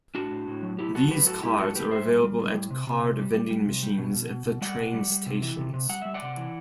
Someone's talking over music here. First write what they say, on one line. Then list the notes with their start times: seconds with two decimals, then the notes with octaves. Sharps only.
These cards are available at card vending machines at the train stations.
0.15 A2 D4 F#4
0.31 A2
0.48 A2
0.63 F#3
0.79 A2 E4 G4
0.95 F#3 F#4 A4
1.11 F#3 G4 B4
1.27 A2 F#4 A4
1.43 G3 E4 G4
1.58 A2 F#4 A4
1.75 A2 G4 B4
1.91 A2 C5 E5
2.06 G3
2.23 G3
2.39 A2
2.54 G3
2.71 C3
2.87 C3
3.03 C3
3.18 G3
3.34 G3
3.51 G3
3.66 C3
3.83 G3
3.98 B2
4.14 B2
4.31 B2
4.46 B2
4.61 G3 D5 F#5
4.78 B2
4.94 G3
5.10 G3
5.26 C3
5.42 E3
5.59 C3
5.74 C3
5.89 G3 F#5
6.02 G3 E5
6.14 D5 F#5
6.22 C3
6.37 E3